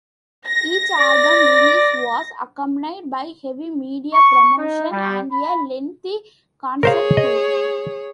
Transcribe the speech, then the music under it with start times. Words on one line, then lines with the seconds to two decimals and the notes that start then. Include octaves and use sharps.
Each album release was accompanied by heavy media promotion and a lengthy concert tour.
0.47 A#6
0.99 D5
4.13 C#6
4.57 D#4
4.92 G3
5.32 B5
6.83 G#4 A#4 C5 C#5 F5
7.17 D#5